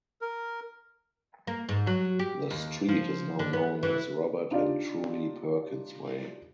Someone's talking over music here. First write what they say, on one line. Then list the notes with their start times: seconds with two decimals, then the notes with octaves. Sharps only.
The street is now known as Robert and Trudie Perkins Way.
0.22 A#4
1.47 A#3
1.69 G#2
1.87 F#3
2.19 G4
2.51 D#2
2.88 F3
3.39 D3
3.53 B3
3.83 E3
4.51 D4 D#4 F4 G4 D5 F5